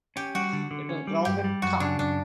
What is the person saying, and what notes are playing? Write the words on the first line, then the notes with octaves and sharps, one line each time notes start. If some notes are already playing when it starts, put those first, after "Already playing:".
It was grounded ca.
C#4 G4
G3 F#4
D3
D3
C#4
G3
G2 G4
G3
F#2 F#4
C#3 D4
F#2 D4